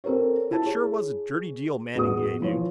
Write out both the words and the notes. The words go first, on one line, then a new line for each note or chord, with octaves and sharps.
"That sure was a dirty deal Manning gave you."
C4 A4 A#4 C5 C#5
E4 A5
G#4 C#5
A1 E2 F#4 G#4 D#6
E3 F3 C#5